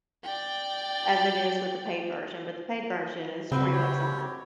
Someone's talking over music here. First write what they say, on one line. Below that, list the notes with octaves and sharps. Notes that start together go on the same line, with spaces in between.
as it is with the paid version, but the paid version is twenty bucks a month,
D5 G5
C#3 C4 F#4 B4 B5
G4 C#5